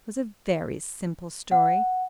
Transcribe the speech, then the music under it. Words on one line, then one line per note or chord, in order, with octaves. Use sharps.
It was a very simple story.
F#5